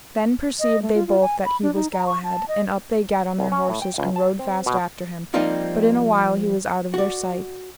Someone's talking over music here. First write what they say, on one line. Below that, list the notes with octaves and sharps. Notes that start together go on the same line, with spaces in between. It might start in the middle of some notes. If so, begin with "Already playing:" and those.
Then perceived they both that he was Galahad; and up they gat on their horses, and rode fast after him, but in a while he was out of their sight.
D#5
A3
F4
F4
G#5
B5
D4
D#4
A#5
C#6
A5
D#5
C2
C#4
A2
G5
C#2
A5
C4
B2
F3 G3 A#3 C4 D#4 F4
F#4 D5